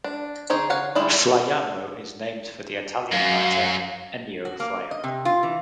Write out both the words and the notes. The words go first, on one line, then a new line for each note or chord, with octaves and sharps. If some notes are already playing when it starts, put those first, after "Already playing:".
Flaiano is named for the Italian writer Ennio Flaiano.
D4
C4 D#4 G#4 C#5
C#5 F5 F#5 G#5
G3 G#3 E4 D5
F#2 F5
F#4
A#3
D#5
C3
F4
E3